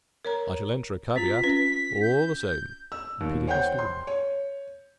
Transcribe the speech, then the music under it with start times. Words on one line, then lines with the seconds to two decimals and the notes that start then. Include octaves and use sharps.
"I shall enter a caveat, all the same," repeated Mr. Winwood.
0.25 A#4 C#5 A#5
1.16 C4 F4 B6
1.44 C#4 B4
2.02 G6
2.92 E6
3.21 D#2
3.47 C5 C#5 F#5 G5 G6
3.79 C6
4.07 C#5